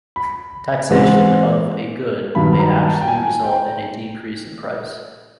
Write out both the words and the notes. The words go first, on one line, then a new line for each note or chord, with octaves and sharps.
Taxation of a good may actually result in a decrease in price.
B5
G#2 E3 G#3 C4
G2 D#3 F#3 B5
B5
A#5
A5
G5
G#5
G5